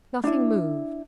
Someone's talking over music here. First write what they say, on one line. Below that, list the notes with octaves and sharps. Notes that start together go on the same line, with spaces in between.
Nothing moved.
D4 E4